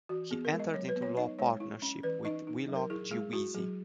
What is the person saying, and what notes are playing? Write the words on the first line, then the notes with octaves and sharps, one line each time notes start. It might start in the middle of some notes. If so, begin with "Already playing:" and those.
He entered into law partnership with Wheelock G. Veazey.
E3 F#4
B3 G#4
A#4
G#3
D#5
F#3 C#5
B4
B3
C#5
D#4 D#5
G#3 C#5
E4
C#4
E3 B4
D#4 D#5
D#4
F#3
A#4
E4 G#4
G#3 G#4
E4 F#4
F#3 G#4